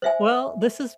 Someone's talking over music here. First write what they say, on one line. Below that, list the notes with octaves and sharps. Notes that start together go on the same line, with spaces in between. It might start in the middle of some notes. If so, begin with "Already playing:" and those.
Well, this has
C5 E5 G#5